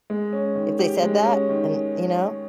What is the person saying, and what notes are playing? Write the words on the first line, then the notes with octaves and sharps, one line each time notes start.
if they said that and, you know,
G#3
C#4
D#3
G4
G#3
C#4
D#3